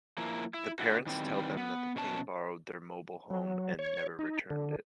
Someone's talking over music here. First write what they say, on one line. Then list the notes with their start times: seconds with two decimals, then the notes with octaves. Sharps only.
The parents tell them that King borrowed their mobile home, and never returned it.
0.18 F3 A#3 E4
0.54 E4
0.79 D3 E4 F#4
1.07 D#3 E3 G3 C4
1.57 B3
1.96 B2 C#4 A5
3.30 F#3
3.79 C#5
4.19 D#4
4.50 D3